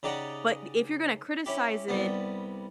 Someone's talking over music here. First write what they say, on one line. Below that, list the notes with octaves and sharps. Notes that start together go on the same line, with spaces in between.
but if you're gonna criticize it,
C#3 D#4 G4 D5 D#5 F#5
C#4 E4 G4
C2 G3 B3